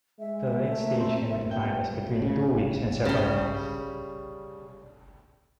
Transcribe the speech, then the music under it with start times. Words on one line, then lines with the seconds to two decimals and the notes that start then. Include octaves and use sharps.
The late stage can be defined as between two weeks and several months.
0.20 G#3 E5
0.67 A#2 A3 A#3 A#4
1.00 C4
1.51 G2 G5
2.22 C#3
3.05 C#3 G3